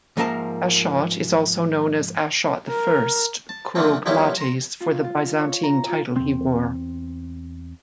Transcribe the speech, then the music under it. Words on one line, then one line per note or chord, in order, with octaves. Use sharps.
Ashot is also known as Ashot I Curopalates for the Byzantine title he wore.
G#2 F3 A#3 A#4 E5 A5
A#4
A5
D3 F3 A3 A#3 C4
F3 G3 A#3 B3 C#4 E4
A#5 C6
F4
F4
C#5
A#5
F4
E2 C4